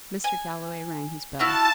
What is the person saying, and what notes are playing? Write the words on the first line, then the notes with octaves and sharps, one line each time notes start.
Mr. Galloway rang his bell.
G#5
E4 F#4 F5 A5